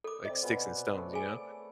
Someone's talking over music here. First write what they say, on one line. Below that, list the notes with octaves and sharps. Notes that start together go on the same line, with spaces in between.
like, sticks, and stones, you know?
A4 D6
C3 D5 D#5
B2 B4 G#5
A3 C#5 D5
G#4 G#5